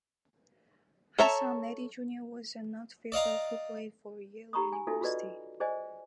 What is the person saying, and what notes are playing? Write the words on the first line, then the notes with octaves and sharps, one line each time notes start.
His son, Eddie Junior was an outfielder who played for Yale University.
A4 C#5 E5 A5 A#5
D5 D#5 F5 A#5
D#4 G4 A#5 B5 C#6 D#6
G#5
D#4 F4 F#4 A4 E5 G#5
F4 F#4 G#4 B4 D5 D#5
G#4 C5 D5 D#5 G#5